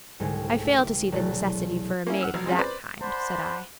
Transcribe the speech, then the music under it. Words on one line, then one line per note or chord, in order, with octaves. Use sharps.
"I fail to see the necessity for a maid of that kind," said I.
C2 G#2 D3 G#3 C#4
A3
D6
E1 F#3 A3 D5
A#3 C#4 E4
F#5 E6 F6
F1 F#3
G#3 C4 C#4 F4 F#4
B4 C5 D5
C5 D5 F#5 A5 B5 C6